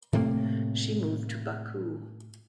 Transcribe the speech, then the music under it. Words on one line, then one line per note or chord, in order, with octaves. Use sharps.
She moved to Baku.
A2 C3 A3 A#3